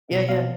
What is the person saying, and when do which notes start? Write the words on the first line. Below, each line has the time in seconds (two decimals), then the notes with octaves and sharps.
Yeah, yeah.
0.11 B2
0.29 B2 F5